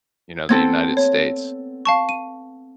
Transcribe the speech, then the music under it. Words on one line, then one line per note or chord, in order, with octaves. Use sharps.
you know, t he United States.
B3 C4 A4 G#6
C#5
F5 A5 C#6
D#7